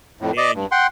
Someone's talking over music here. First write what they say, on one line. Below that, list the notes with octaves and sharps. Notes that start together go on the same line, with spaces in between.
And y
F2 A2
D5 D#5 D6
G2
F#5 G5 C6